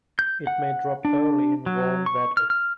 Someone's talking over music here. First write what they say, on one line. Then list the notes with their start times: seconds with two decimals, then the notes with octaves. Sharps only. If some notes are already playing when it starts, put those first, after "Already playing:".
It may drop early in warm weather.
0.19 G6
0.47 F#5
1.05 D4
1.66 F#3
2.06 C#6
2.37 F6
2.50 F6